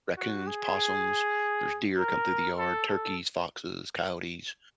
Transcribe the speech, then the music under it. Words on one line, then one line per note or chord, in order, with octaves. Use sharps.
raccoons, possums, there's deer come through the yard, turkeys, foxes, coyotes,
F#4
G#4
A#4
A4
A4